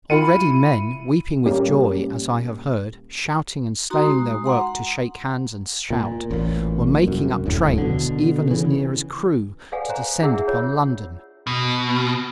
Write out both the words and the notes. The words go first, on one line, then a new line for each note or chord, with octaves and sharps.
Already men, weeping with joy, as I have heard, shouting and staying their work to shake hands and shout, were making up trains, even as near as Crewe, to descend upon London.
E4 F4 B5 C#7 D#7
D#7
A#2 G3 A#3 C#4 G4
D#4 F#4 A#5 C6 D#6
G#3
F#5 A#5 C6
A#2
A1 A#2
C2 F#2
D#1 D2 A2
B2 D3
C#3 E3
A4 B4 D5 F5 F#5 G#5
C5 A#5
D4 E4 G#4 E5 F#5 E6
F4 C#5
B2